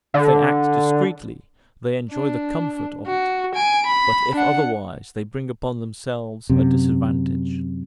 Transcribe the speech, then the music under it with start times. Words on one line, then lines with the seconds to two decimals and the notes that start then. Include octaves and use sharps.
If they act discreetly, they enjoy the comfort of it; but if otherwise, they bring upon themselves a disadvantage.
0.14 D3
2.12 D4
3.07 F#4
3.55 G#5 D7
3.86 B5
4.35 D4 F#5
6.50 F#2 C3